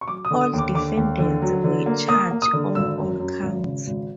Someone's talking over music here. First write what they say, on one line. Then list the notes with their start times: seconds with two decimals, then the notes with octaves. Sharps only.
All defendants were charged on all counts.
0.01 C#6
0.08 F#3 D6
0.25 D#6
0.31 D3
0.41 D#6
0.53 D#2
0.58 D6
0.75 D3 D6
0.97 D#2
1.19 D3
1.42 F#3
1.64 D3
1.86 A#3
2.08 A#3 D#6
2.31 A#3
2.42 D#6
2.53 D3
2.75 G#1 E6
2.98 F#2
3.20 F#2
3.43 G#1
3.65 C#3
3.87 G#1